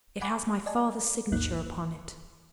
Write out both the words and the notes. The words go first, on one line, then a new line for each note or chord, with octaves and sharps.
"It has my father's signature upon it."
F#5 G#5 B5 D6
D5 D#5 G#5 A5
A1 D#2 G#2 A#3 D#4 F#6